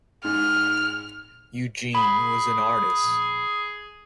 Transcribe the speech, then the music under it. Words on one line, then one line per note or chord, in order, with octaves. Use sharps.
Eugene was an artist.
G#2 F6
G#4 B5